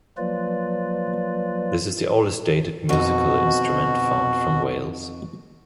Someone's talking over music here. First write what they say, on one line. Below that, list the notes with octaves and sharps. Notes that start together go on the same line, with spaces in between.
This is the oldest dated musical instrument found from Wales.
F3 F#3 A#3 F4 B4 D5
F2 B2 D#4 F#4